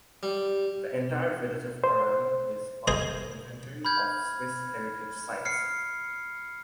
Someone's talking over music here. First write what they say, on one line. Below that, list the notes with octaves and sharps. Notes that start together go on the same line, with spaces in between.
The entire village of Aran is part of the Inventory of Swiss Heritage Sites.
G3
C5
G#4 C5 D#5 G#5
B5 F6 G6 G#6
F6 C7 C#7